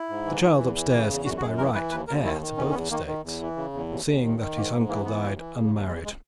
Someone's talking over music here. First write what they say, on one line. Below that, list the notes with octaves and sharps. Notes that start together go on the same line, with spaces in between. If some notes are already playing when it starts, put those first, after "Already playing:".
The child upstairs is by right heir to both estates, seeing that his uncle died unmarried.
Already playing: E4
G#2
E3
E3
E2
E3
C#3
E2
F#2 F#4
F#4
F#2 G#4
E3 A#4
E3 B4
D#2 B4
D#2 A#4
D#3 E4
D#3
E2 C#4
C#4
E2 B3
D#3 A#3
D#3
E2
E3
C#3
E2
D#2
D#2
D#3
D#3
G#2 A#3
G#2 A#3
E3 A#3
E3 B3
D#2
E3
C#3
D#2
E2 G#3
G#3